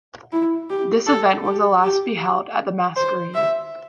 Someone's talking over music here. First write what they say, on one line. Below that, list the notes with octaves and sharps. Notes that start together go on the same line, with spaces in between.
This event was the last to be held at The Masquerade.
E4
G4
A4
G4
G4
C5
E5